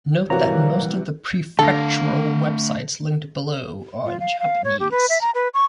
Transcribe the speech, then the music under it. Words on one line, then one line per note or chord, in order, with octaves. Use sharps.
Note that most of the prefectural websites linked below are in Japanese.
C3 E3 G3 A#3 F#4 C5 C#5 A#5
D3 A3 A4 F5 A#6
F4
F5
F5
C#5
G4
B4
E5
A#5
B4
C#6